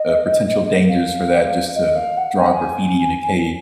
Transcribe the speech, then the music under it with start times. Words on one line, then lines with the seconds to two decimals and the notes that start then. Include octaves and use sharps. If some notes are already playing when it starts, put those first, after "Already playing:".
uh, potential dangers for that, just to draw graffiti in a cave.
Already playing: D#5
0.89 F5
1.75 D#5
1.96 F5
2.17 F#5
2.39 G#5
2.46 F#5
2.53 G#5